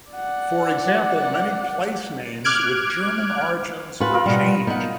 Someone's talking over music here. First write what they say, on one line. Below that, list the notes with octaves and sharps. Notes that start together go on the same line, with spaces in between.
For example, many placenames with German origins were changed.
D5 F#5
D6 F6 F#6 G#6 D7
F4 F#4 B4 G#5 B5
F4 A#4
B2 G3
B3 D#4 F#5